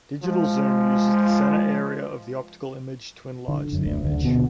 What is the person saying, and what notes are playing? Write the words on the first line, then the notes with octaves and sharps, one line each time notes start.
Digital zoom use the center area of the optical image to enlarge the image.
F3 G#3
D3
F#2
D2
D3
B2